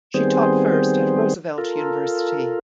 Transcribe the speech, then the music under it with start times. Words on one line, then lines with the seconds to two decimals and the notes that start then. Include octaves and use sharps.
She taught first at Roosevelt University.
0.14 D#3 G3 B3 C4 G#4 C5
1.58 F4 A4 A#4